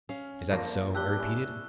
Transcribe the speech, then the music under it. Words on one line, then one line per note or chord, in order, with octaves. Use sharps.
"Is that so?" I repeated.
C#4 F5
F2 F3 A#3 F4 A#4 D#5 C#6
D4 G4 E6 F#6 G7
C#4 E4 D5